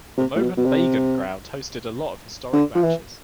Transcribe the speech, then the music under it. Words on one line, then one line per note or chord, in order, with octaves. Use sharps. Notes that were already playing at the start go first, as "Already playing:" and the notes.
The Mohun Bagan Ground hosted a lot of historic matches.
C3
A2
B2
B2
C3
D3
F3
E3